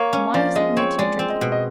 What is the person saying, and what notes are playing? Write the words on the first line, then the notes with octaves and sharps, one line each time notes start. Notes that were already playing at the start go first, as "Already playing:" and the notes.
And why isn't Mitya drinking?
Already playing: A#3 C#5
C#4
F3 D5
G#3 D#5
C4 C#5
G#3 D5
C4
D#5
B2
D#5